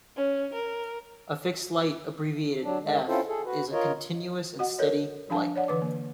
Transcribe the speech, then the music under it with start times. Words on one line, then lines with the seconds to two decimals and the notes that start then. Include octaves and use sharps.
A fixed light, abbreviated "F", is a continuous and steady light.
0.16 C#4
0.53 A#4
2.64 F#3 D4
2.83 D#3 G#3
3.07 C4 C#4 E4 F4 A4 C5
3.28 G#4 A4
3.45 F#4 B4
3.72 F4 A#4 C#5 D#5
4.59 F#4 D#5 F#5
4.78 A4 A#4 C#5 D#5
5.30 F3 D4 F5 G#5 A5
5.56 C#5 D5 F#5
5.68 D3 E3 B4 D6
5.82 A#3